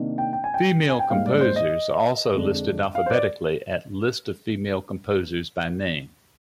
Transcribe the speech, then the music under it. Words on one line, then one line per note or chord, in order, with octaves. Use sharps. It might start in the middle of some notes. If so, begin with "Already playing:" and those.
Female composers are also listed alphabetically at List of female composers by name.
Already playing: C3 D#3 A#3 D4
G5
G5
G#5
G5
G#5
G5
G#2 G3 A#3 F5
D5
C5
D#5
F2 D3 G#3 D4
F5
C5
D5